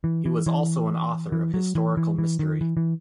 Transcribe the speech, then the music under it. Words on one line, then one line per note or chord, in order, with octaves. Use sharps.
He was also an author of historical mystery.
E3
E3
E3
E3
F#3
E3
E3
E3
D#3
E3
E3